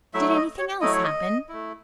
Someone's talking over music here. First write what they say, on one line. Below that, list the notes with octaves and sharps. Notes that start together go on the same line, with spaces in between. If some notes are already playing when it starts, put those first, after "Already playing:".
"Did anything else happen?"
F#3 A3 E4 E5
D#5
C#5
F#3 A3 E4 D#5
C#5
D#5
A3 E4